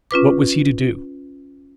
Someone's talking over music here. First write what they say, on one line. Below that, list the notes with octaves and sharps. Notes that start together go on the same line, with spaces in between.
What was he to do?
C#4 F4 B4 D6